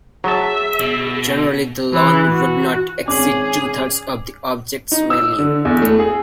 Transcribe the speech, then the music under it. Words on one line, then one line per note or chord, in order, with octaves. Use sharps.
Generally, the loan would not exceed two thirds of the object's value.
F#3 G#4 E5 A5
B2
E3
F#4
G#1 C#4 G#4 D6 F#7
D#4
E6
D3
E2
A3
G#4